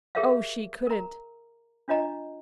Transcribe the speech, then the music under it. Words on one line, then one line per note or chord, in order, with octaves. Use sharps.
Oh, she couldn't!
G4 G#4 A#4 C#5 E5 F5
A#4 A#5
D4 F4 C#5 D#5 A#5